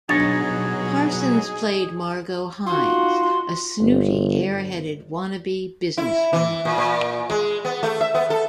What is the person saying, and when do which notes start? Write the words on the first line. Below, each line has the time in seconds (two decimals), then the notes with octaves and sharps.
Parsons played Margot Hines, a snooty, airheaded wanna-be businesswoman.
0.09 B2 F#3 D4 D#4 G#4 C#5 A6
2.67 D#4 F4 F#4 C6
3.81 G1
5.98 E4
6.33 E3
6.65 A#2
6.78 A#2
7.30 G#3
7.65 B3
7.83 A3
8.01 E5
8.15 B3
8.30 A4